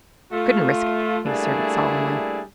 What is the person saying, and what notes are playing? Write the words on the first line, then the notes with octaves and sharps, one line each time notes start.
"Couldn't risk it," he asserted solemnly.
A3 F4
G3 A3 A#3 D4 E4 G#4